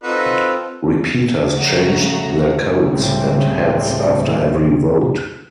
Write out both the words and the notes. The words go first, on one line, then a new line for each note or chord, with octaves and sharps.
Repeaters changed their coats and hats after every vote.
C4 D#4 F4 F#4 A4 B4
G1 F2 C#3 A3 F#4 A#5
C#2 A2 C#3 G3 A3 C4